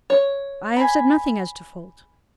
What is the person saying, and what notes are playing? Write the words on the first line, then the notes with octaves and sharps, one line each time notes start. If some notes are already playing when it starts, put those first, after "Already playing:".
I have said nothing as to fault.
C#5
G#5 B5